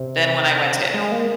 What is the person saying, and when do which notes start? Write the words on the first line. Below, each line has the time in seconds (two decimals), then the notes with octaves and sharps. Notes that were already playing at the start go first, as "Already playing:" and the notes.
than when I went in.
Already playing: C3
0.94 G#3
1.12 A#3